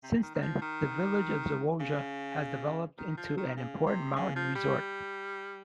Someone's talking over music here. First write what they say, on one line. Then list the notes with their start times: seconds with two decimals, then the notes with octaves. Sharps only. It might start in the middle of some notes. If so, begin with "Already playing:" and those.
Since then the village of Zawoja has developed into an important mountain resort.
0.03 C3
0.22 D#3
0.35 D#3
0.42 F3
0.61 D#3
1.80 C#3
2.98 D#3
3.17 F3
3.37 D#3
3.57 C#3
3.86 C3
4.16 C#3
4.36 F3
4.55 G3